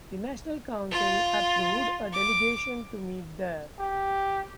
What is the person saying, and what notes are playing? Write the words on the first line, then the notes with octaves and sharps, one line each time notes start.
The National Council approved a delegation to meet there.
F4
D6
G4